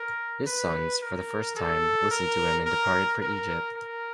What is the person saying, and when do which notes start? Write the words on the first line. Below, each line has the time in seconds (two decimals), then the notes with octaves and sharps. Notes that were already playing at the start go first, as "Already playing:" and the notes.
His sons, for the first time, listened to him and departed for Egypt.
Already playing: A#4
0.47 B4
1.02 A#4
1.57 A4
2.11 A#4
2.66 A#4
3.21 A#4
3.76 A#4